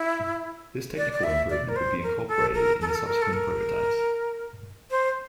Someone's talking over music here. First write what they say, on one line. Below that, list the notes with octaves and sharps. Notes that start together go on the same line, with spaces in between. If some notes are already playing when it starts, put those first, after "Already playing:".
This technical improvement would be incorporated in the subsequent prototypes.
Already playing: E4
D5
D5
E5
D5
A#4
C5
A#4
A4
A#4
A4
A#4
A4
A#4
A4
A#4
C5